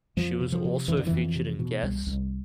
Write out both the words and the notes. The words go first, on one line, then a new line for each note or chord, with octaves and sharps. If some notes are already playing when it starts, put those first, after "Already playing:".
She was also featured in Guess?
F2 F3
C3
F3
C3
F2 E3
D3
F2 E3
C3
B2
C2
C2